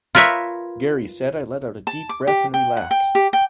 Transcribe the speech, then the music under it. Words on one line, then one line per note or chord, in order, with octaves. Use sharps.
Geary said I let out a deep breath and relaxed.
F4 A#4 B4 C#5 E5
A5
D6
G4
G5
F#5
G5
G4
G5